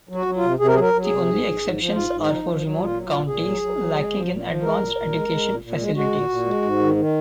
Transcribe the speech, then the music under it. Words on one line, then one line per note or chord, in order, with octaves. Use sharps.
The only exceptions are for remote counties lacking in advanced education facilities.
F#3
F#4
F#3
F4
C3
C3 G#4
A#4
F#3 G#4
A#4
F#3
G#4
C3
G#2
G#2
G#2
F3
G#2 F4
G#2
F3 D#4
F3
F#3
A#2
F4
F#3
F4
A#2
A#2 G#4
F#3
F#3
F#3
G#3
F3
A#2
F3
G#3 A#4
A#2
A#2
G#3
G#3
A#2
A#2
G#3
G#3 F#4
A#2
A#2
G#3
G#2
D#3
D#3